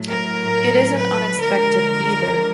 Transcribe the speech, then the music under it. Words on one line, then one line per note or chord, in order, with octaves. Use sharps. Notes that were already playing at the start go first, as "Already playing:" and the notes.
It isn't unexpected, either.
Already playing: A2 F#3
A#4
B4
D3 F3 G#3 A#4